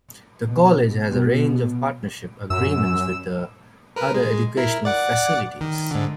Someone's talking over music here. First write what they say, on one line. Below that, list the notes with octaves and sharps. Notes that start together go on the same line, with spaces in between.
The college has a range of partnership agreements with other educational facilities.
B2
B2
F#2 E6
A#4 B4
G#3
E4 A#4
D5 F#5 D6
D#3
G#2 D3